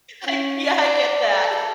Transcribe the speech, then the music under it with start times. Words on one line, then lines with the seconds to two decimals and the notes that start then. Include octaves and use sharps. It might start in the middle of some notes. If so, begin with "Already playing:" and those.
I yeah, I get that.
0.24 C#4
0.81 D5
1.32 A4